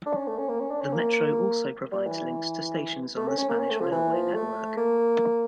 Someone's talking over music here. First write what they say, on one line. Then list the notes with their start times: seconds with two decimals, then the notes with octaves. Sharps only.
The metro also provides links to stations on the Spanish railway network.
0.06 D4
0.17 C#4
0.28 A3
0.39 C#4
0.49 A#3
0.60 C#4
0.71 D4
0.81 C#4
0.92 A#3
1.92 G3
2.07 E3
3.17 A3
3.28 C#4
3.38 C#4
3.49 A#3
3.59 C#4
3.71 A3
3.81 F3
3.92 E3
4.13 F3
4.35 A3
4.77 A#3